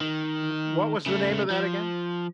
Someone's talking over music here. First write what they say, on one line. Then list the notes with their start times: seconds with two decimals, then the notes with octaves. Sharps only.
W w what was the name of that again?
0.01 D#3
1.06 C#3 A3
1.50 F3